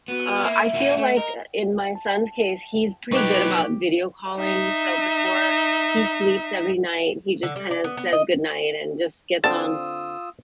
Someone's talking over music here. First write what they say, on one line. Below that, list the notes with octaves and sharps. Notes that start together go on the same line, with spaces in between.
uh, I feel like, uh, in my son's case, he's pretty good about video calling, so before he sleeps every night, he just kinda says goodnight and just gets on
B3 F#4
A#3 E5
A#3 F#4
A3
A#4 D#5
A5
F#3 D#4 G4 B4 C#6 D6 F#6
D#4 E5
D3
G3
D5
B3
B3
D#5
D3 C4 F4 A5 D#6 E6